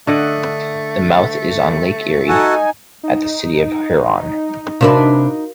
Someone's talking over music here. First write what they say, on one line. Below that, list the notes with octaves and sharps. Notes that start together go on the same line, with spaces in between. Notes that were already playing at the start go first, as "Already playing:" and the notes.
The mouth is on Lake Erie at the city of Huron.
D3 A3 D#5 F#5
D#4 F#4 A4 G#5
D#4
C3 D4 F#4 A#4 B4 F5